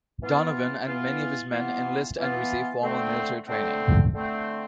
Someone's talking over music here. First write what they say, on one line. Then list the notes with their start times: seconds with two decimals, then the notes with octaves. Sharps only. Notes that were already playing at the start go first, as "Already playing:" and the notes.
Donovan and many of his men enlist and receive formal military training.
0.21 E3 B3 F4
0.86 E3 B3 F4
1.51 E3 B3 F4
2.17 E3 B3 F4
2.81 D3 A3 C4
3.47 D3 A3 C4
4.13 D3 A3 C4